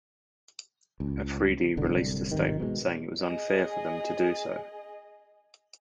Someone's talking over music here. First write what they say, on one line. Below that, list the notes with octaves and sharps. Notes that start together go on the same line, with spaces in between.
Afridi released a statement saying it was unfair for them to do so.
C#2
D1 C2 D3
G#1 C3 D#3
B2 G#3
G#4 D#5